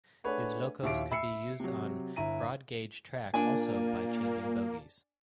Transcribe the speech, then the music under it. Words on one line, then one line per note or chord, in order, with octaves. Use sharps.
These locos could be use on broad gauge track also by changing bogies.
A3 D4 G#4 B4 C#5 F#5
A#1 D#2 E4 F5 D6 D7
E5 B5 E6 C7 C#7
C3 F#3
G1 E4 A#5 D#7
A#2 A#3 D4 D5 G#5